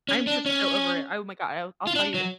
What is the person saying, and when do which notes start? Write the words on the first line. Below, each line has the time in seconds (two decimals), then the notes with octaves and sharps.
I'm just so over it, oh my god, I'll I'll tell you this.
0.09 C#4
0.27 D4
0.46 C#4
1.87 F4
1.96 D4
2.14 F#3